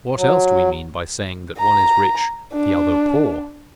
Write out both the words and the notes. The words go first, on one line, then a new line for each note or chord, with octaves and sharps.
What else do we mean by saying that one is rich, the other poor?
F#3
A#5
D4